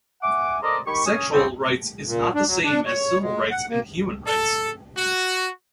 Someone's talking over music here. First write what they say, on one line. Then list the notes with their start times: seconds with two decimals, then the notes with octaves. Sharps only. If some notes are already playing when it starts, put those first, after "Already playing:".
Sexual rights is not the same as civil rights and human rights.
0.22 E5 F#5 G#5 D6
0.63 A4 A#4 C5 D5 D#5
0.87 D#3 G4 B5 C#6
1.06 C#4 G#5 D#6
1.32 F2 B2 G3 C4 A4 E5
2.06 A#2
2.35 D4
2.47 F#3
2.63 D4
2.86 C#5
3.21 G#3
3.51 F#5
3.69 A#3
4.27 A4
4.97 F#4